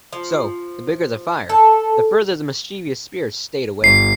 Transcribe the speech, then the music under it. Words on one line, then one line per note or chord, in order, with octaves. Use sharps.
So, the bigger the fire, the further the mischievous spirits stayed away.
F3
A4
G1 C7